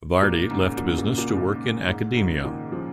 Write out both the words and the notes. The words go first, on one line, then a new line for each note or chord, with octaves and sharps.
Vardy left business to work in academia.
A#2
G#2 C#3
A#2
C#3
A#2
C#3
A#2
C#3
A#2
G#2
G#2 C#3
A#2 D#3
C#3 F3